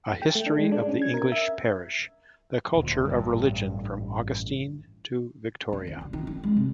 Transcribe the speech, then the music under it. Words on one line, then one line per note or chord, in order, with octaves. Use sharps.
"A History of the English Parish: The Culture of Religion from Augustine to Victoria".
G5
A3
D4
G#3
D4
C#4
G#6
A#4
E5
D#1 D2
A1 G2
D3
D#2
C#3
D#3
D#4
G#3
C3